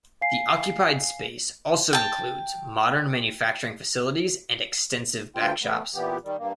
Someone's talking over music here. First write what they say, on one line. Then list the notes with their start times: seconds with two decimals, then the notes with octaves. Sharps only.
The occupied space also includes modern manufacturing facilities and extensive back shops.
0.21 F5 G#5 C7
1.93 G5 A5
5.36 D2 G2 F4 G5
5.62 A3 B3
5.95 A#2 E3 B3 G4
6.24 D#3 G3
6.38 G2 A#3